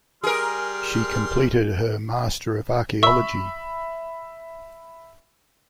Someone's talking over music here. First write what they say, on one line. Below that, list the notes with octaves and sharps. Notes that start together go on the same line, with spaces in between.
She completed her M. Arch.
G3 G#4 A#4 C6 F6
E5 B5 C#6 E6